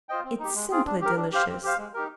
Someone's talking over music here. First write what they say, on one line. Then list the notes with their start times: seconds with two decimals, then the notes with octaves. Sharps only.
It's simply delicious!
0.09 F4 C5 D#5 G5
0.24 C4
0.39 D#4 G4
0.55 G#3
0.71 C4 F4 G#4
0.86 D4
1.01 G4 A#4
1.16 D4
1.32 G4 C5 F5
1.48 C4
1.64 G4 C5 F5
1.78 G#3
1.94 D#4 G4 A#4